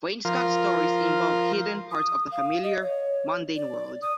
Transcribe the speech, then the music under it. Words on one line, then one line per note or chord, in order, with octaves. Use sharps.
Wainscot stories involve hidden parts of the familiar, mundane world.
F3 F4 A#4
D#6
F5
D#5
C#5
D5
D#6